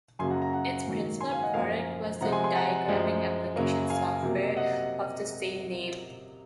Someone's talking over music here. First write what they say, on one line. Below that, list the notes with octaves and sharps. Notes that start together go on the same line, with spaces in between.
Its principal product was a diagramming application software of the same name.
F#2 C#3 F#3 A#3 G#5 C6
F#5 A#5
F#5 A#5
F#5 A#5
G#2 D#3 F#3 A#3
G#5 C6
F5 G#5
D#5 F#5
F#2 F3 A#3 F5 G#5
C3 F3 G#3 F#5 A#5
G#5 C6
G#5 C6
F#5 A#5
F#2 F3 G#3
F#2 C#3 F#3 A#3
F5 G#5
C3 F#3 A#3
D#5 F#5